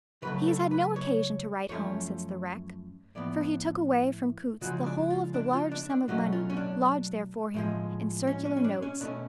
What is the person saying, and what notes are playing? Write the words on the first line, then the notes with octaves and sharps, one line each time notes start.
He has had no occasion to write home since the wreck; for he took away from Coutts's the whole of the large sum of money lodged there for him, in circular notes.
C#3 F#3 A3 B4
A4
B4
C#5
F#2 F3 A3 C#4 C#5
A2 F3 B3 D5
C#3 F3 G#3 F#4
D4
F4
D4
F4
D4
D4
B2 F#3 A3 C#4 F#4
F4
C#4
D4
A2 F3 G#3
C#4
C#4
C#4
D4
C#4
B2 A3 C#4 D4